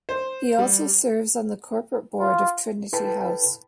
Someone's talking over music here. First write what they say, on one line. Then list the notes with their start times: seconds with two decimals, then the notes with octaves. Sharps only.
He also serves on the Corporate Board of Trinity House.
0.09 C5
0.59 G3
2.20 F4
2.93 E4 A4 B4 G5 A5 B5